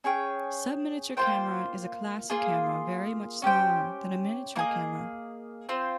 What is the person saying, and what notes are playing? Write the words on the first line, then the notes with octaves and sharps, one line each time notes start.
Subminiature camera is a class of camera very much smaller than "miniature camera".
C#4 G#4 C#5 G5
A#3 F4 C5 G5
A#3 F4 G#4
C#4 G4 C5 G5
A#3 D#4 G#4 D#5
C4 F4 C5